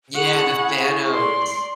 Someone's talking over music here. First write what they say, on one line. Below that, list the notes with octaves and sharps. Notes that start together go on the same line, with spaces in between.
Yeah, the Thanos.
E4 G#4 F#5 C#6
D5 C6